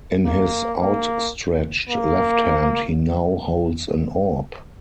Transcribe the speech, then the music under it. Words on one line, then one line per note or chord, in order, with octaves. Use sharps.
In his outstretched left hand he now holds an orb.
A#3
A#3
A#3